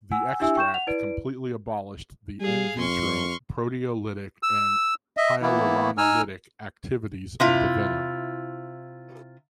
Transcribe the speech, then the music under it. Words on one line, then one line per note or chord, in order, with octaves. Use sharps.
The extract completely abolished the "in vitro" proteolytic and hyaluronolytic activities of the venom.
F#5 G#5 E6
D4 E4 G4 E5 G#5 E6
G5 C#6 G6 E7
F#5 F7
E4 B4 D5 D7
G3 G#4 F5
F2 C6 C#6 F6
E6
D#5 E5
E3 A#3 B3 E4
D#4 G#5 E6 F6
C3 E4 F4